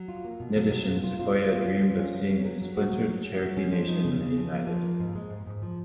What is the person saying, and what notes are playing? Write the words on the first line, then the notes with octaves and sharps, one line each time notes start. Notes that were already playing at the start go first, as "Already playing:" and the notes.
In addition, Sequoyah dreamed of seeing the splintered Cherokee Nation reunited.
Already playing: F#3
F4
A#3
B2
F#3
B2
F4
F4
F4
F4
F4
C#4
F4
C#4
F#3
C#4
F#3
F#3
F#4
F#3
F#3
C#4
F#4
C#4
F3
D#4
C#3
C#3
F3
A#3
F3
A#3
G#2
G#3
G#2
G#2
F3